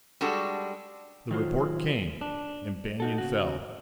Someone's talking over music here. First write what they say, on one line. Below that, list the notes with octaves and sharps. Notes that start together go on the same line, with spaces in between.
The report came; and Banion fell.
G3 G#3 D4 F#4 A4
D#3 F#3 F4 C5
D4
D#4 F#4 A4
C#3 F#4